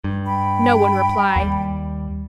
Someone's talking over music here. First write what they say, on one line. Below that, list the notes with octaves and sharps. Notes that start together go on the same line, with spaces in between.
No one replied.
G2
G5 B5
D#2 G3